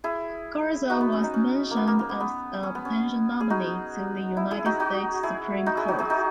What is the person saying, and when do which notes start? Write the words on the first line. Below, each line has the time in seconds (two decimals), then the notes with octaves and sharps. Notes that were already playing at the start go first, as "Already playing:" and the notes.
Garza was mentioned as a potential nominee to the United States Supreme Court.
0.04 E4 G#4
0.90 D#4 F#4
1.01 B3
1.12 C#4
1.23 D#4
1.34 C#4
1.71 A#3
1.76 B3
1.87 A#3
1.99 A#3
2.09 B3
2.20 B3
2.63 C#4
2.75 B3
2.85 C#4
3.40 G#4
3.50 D#4 F#4
4.37 E4
4.51 E4 G#4
4.65 D#4 F#4
4.80 D#4 F#4
5.23 E4 G#4
5.66 D#4 F#4
5.77 E4 G#4
5.88 D#4 F#4
5.99 E4 G#4
6.10 D#4 F#4